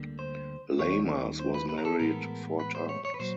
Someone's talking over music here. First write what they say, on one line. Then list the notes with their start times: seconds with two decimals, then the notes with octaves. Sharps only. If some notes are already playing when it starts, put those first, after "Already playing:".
Lamas was married four times.
Already playing: D2 D3 G3 A#3
0.19 C5
0.78 D#2 D#3 G3 C#5
1.39 C5
1.54 B4
1.69 B4
1.78 A#4
1.85 A4
2.00 A2 E3 G#3 B3 A#4
2.59 B4
2.75 C5
2.89 C#5
3.05 C#5
3.14 B4
3.19 A#2 F#3 C5